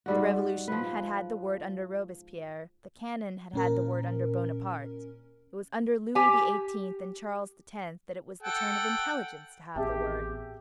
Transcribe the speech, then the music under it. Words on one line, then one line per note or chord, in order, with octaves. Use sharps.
The Revolution had had the word under Robespierre; the cannon had had the word under Bonaparte; it was under Louis XVIII. and Charles X. that it was the turn of intelligence to have the word.
G#2 G3 F#4
F3 B4
A#2 C#4 A#4
G4 G#5
A4 F#5 G5
A1 B3 C4 G4 G#4 E5 A5